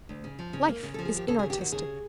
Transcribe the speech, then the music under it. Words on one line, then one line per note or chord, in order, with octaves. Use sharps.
Life is inartistic.
D2
C#3
F3
C#3
A#3
C#3
A4
F3
G#4
D#2 G4
C#3 A4
G#4
D#2
G4
D#2 F#4
C#3 G#4